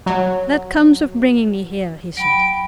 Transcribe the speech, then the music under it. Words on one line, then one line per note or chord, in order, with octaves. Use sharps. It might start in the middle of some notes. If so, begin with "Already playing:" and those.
"That comes of bringing me here," he said.
F#3
F#3 G5 B5 D7